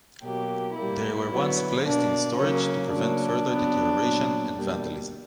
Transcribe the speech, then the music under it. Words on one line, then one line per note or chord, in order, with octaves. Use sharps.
They were once placed in storage to prevent further deterioration and vandalism.
B2 F#3 A#3 G4
A#2 G3 A#3 E4
D3 F#3 B3
B2 A#3 D4
C#3 F#3 A#3 C#4
C#3 F#3 A#3 D4
C#3 F#3 B3
A#2 F#3 B3
B2 G3 A#3